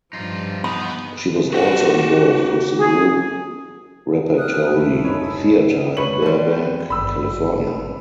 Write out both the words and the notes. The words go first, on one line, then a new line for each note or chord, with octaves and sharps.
She was also involved with the Group Repertory Theatre in Burbank, California.
G2 F3 D#4 F4
E3 B3 D#4 B5
F#4 G4 F#5
G#4
D#6 F6 F#6
D#2 A#2 D#3 A3 E4
F#1 D#4 C#5
B4 C#5 F#7
D3 E3 G3 A4 C5
G#1 G2 B5 E6